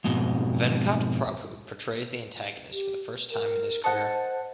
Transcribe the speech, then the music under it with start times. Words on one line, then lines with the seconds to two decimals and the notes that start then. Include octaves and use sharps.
Venkat Prabhu portrays the antagonist for the first time in his career.
0.04 F2 G#2 B2
2.72 G4
3.31 A#4
3.84 A4 C5 D#5 F#5